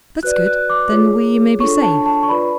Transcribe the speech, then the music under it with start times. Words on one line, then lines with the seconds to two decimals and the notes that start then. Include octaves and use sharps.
"That's good; then we may be saved."
0.23 F#4 B4 D5 F#6
0.46 F#6
0.70 D6
0.92 F4 G#4 C#5
1.60 D4 F4 A4 C#5 C#6
1.82 A5
2.06 A5
2.23 C#6
2.28 F4 B4 D5 B5